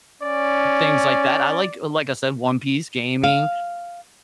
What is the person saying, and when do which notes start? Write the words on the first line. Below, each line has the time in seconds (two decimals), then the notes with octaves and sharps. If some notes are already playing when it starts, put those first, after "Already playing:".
things like that. I like like I said, One Piece, gaming,
0.22 C#4 D5
3.24 F5